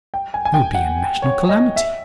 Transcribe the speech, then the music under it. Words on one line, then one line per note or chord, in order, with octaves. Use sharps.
It would be a national calamity.
G5
G#5
G#5
G5
F#5
C#5
D#5
E5